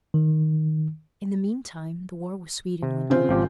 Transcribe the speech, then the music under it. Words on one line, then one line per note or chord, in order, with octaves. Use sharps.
In the mean time the war with Sweden went on.
D#3
C3
C#3 C4 F4
G#1 F3 G4